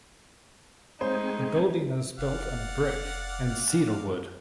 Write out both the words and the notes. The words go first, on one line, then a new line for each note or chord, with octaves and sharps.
The building is built in brick and cedar wood.
G#3 A3 C4 D#4 G#4 C5
F1 D5 F5 F#5